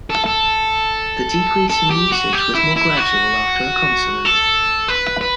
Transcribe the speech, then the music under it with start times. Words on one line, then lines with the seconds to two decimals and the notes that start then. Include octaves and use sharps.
The decrease in usage was more gradual after a consonant.
0.10 A4
0.26 A4
1.70 A4
1.90 G4
2.12 F#4
2.33 G4
2.55 E4
2.76 E4
2.97 F#4
4.25 A4
4.88 B4
5.21 B4